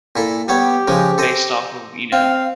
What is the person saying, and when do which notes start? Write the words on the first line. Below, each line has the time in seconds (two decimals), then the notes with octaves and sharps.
based off of, you know,
0.16 A#2 E4 A4
0.48 G3 B3 G4 C#5
0.88 C#3 F3 G#3
1.18 A4 C5 D#5
2.12 C4 F5